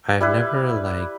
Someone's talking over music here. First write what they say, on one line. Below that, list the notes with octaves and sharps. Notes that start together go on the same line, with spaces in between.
I've never, like-
G3 E4 B4